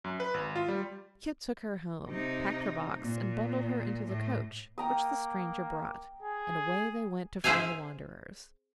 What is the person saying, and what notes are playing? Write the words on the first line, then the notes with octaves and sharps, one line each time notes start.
Kit took her home, packed her box and bundled her into the coach which the Stranger brought, and away they went to find the wanderers.
F#2
B4
G#1
F4
G3
C3 D#4
A#2
A2
A#3 G5 A#5 D#6
G#4
G#4 C5 E5 F5 G#5